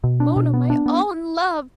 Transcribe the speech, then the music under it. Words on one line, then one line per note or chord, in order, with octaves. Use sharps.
Mona, my own love.
B2
D4
B2
B3
D4
B3